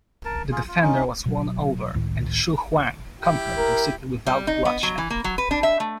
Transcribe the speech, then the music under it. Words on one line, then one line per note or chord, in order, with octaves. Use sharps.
The defender was won over and Xu Huang conquered the city without bloodshed.
A#4 A5
F4 G#4
F4
C#4 D#4
B2 F#3
C#2 A2 D#3
E4 G4
A#4
G3
D#4
B3
F#3
E3
A#3
F#3
B4
D4
E5
A3